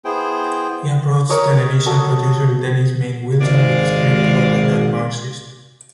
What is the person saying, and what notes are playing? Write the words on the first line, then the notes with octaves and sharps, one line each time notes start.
He approached television producer Dennis Main Wilson with a script about a young Marxist.
B3 E4 G#4 C5 G5
A#4 C#5 D#5
F#4 A4 D#5
G#1 G#3 D5 F5